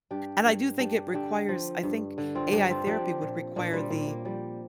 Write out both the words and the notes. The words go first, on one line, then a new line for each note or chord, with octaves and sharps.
And I do think it requires I think AI therapy would require the
G2 D4 G4
G2
G2 D4 G4
D3 D4 G4
F3
G2
D3
C4 F4
G2 D4 G4
C4 F4
F3 D4 G4
A#2
A#2 A#3 D4
G3 C4
A#2 A#3
A#3
F3 G3